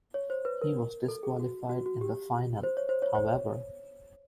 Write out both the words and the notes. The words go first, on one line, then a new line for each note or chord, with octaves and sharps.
He was disqualified in the final, however.
C#5
C5
B4
A#4
A4
G#4
F#4
F#4
F#4
G4
C5
C#5
C5
C#5
C5
C#5